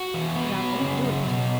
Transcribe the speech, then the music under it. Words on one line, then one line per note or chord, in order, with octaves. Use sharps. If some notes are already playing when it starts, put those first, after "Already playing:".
But I won't do it!
Already playing: F#4 F#5
E3
B3
F#3
C#3
F#3
B2